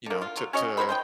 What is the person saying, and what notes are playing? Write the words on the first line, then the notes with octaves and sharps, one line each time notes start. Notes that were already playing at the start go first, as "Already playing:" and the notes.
you know to to
D3 A#3
F4
F#3
C#4 F#4 C#5 D#5
F#3 F#4 C5 B5
C5 D#5 G5